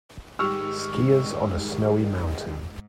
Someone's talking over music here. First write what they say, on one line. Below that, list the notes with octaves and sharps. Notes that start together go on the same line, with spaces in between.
Skiiers on a snowy mountain.
G#2 D#3 G3 G#3 G4 C#6 E6 F6